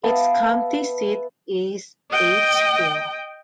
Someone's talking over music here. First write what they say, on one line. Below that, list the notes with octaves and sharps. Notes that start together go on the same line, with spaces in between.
Its county seat is Edgefield.
B3 E5 F5 A5
D#5 G5